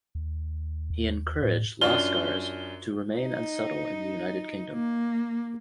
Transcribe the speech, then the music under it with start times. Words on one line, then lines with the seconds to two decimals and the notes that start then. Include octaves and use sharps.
He encouraged lascars to remain and settle in the United Kingdom.
0.15 D#2
0.90 D#2
1.43 A2
1.81 F#2 D4 F4 G7
3.18 D#4
4.73 A#3